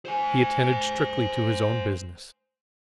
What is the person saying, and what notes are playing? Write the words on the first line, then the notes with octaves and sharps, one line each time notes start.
He attended strictly to his own business.
C5 G#5